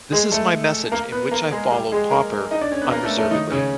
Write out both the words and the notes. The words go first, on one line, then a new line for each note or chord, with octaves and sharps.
This is my message in which I follow Popper unreservedly.
G#3 G#4
A3 A4
A#3 A#4
B3 B4
A#3 A#4
G#3 G#4
G3 G4
G#3 G#4
A#3 A#4
D#4 D#5
D4 D5
C#4 C#5
B3 B4
A#3 A#4
A3 A4
A3 A4
D#3 D#4
C#3 C#4